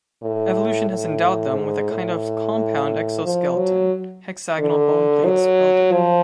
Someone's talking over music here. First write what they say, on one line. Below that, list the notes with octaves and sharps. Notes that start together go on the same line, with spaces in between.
Evolution has endowed them with a kind of compound exoskeleton hexagonal bone plates welded.
A2
A2
G#2
A2
F3
F#3
D3
F#3
F3